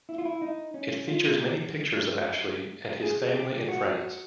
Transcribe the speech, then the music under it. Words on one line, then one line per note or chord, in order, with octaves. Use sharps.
It features many pictures of Ashley and his Family and Friends.
E4
F4
E4
D#4
C#4
F4
G4
G#4
G4
F#4